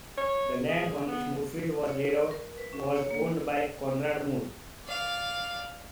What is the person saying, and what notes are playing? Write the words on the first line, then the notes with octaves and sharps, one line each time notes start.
The land on which Moorefield was laid out was owned by Conrad Moore.
C#5
G#4
B3
C#5
A#4
B4
C#4
C#5
A#3
D5 F5